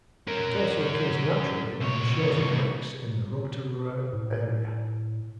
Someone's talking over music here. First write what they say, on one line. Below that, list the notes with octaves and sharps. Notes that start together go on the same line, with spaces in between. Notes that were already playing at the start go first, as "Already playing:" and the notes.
It also occurs naturally on the shores of lakes in the Rotorua area.
C#4 A#4
C2 C#5
A2